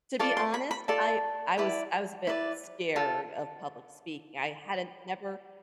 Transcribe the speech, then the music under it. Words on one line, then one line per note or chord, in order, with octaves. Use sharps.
to be honest, I I was I was a bit scared of public speaking, I hadn't never
F4 A4 D5 D6
C6
B5
B5
F4 A4 D5 A5
E4 B4 D5
E4 B4 D5
F4 A4